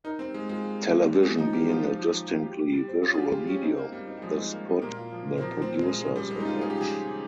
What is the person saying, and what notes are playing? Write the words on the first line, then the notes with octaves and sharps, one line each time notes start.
Television being a distinctly visual medium, this put the producers on edge.
D#4 A#4
G3 C4
G#3 A#3
G#3 F4
G3
A#3
A#3
G3
F3 G#3
F3 D#4
A#3 G4
F3 F4
F3
F3
F3
F4
G4
G4
G3
C5
C#4 F4
G#4
G3 G4
G3 F4
C#4 G4
C4 D#4
A#3
G3 A#3
D#4
G3
F3 G#3
D#4
A#3
G4
A#2 A#3
F4
F3
A#2
C4
F3 A#3
F3
C4
A#2
G#3
F3
C#3 G#3
F3 G3
C#3 G#3
D#4
C#3 F4
C#3 G#4
G4
F3 G#4
G#3
C#3